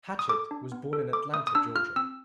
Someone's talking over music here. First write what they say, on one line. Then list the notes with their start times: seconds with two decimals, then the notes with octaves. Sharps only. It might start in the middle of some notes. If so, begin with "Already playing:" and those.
Hatchett was born in Atlanta, Georgia.
0.19 D#6
0.29 A4 D6
0.51 D4
0.72 B3
0.93 A4
1.13 A4 D6
1.34 A3 D#6
1.47 D#6
1.55 D4 E6
1.75 F4 F6
1.96 C4 E6